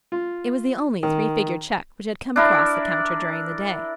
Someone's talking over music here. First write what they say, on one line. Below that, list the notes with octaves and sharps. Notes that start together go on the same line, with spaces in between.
It was the only three-figure cheque which had come across the counter during the day.
F4
D#3
D4 E4 A#4